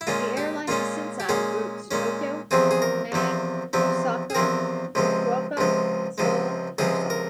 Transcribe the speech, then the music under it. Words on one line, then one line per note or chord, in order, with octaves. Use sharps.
The airline has since added routes to Tokyo, Penang, Osaka, Fukuoka, Seoul and Busan.
E4
A#2 G#3 C#4 F4
G4
A#2 G#3 C#4 F4
G4
A#2 G#3 C#4 G#4
A#2 G#3 C#4
E2 C3 F3 C4 G#4
G#4
A#4
E2 C3 F3 C4
E2 C3 F3 C4
G#4
E2 C3 F3 C4 A#4
C#2 C3 F3 G#3
C#2 C3 F3 G#3
C#2 C3 F3 G#3
C#2 C3 F3 G#3 G#4
A#4